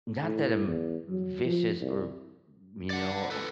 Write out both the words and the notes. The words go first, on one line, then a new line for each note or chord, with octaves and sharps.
not that I'm vicious or, you know,
A2
E2
F#3
F3
C2
D5 F#5
A4 B4